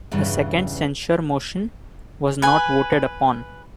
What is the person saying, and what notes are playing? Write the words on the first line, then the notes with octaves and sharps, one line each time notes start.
A second censure motion was not voted upon.
E2 G2 C#3 E3
B4 G#5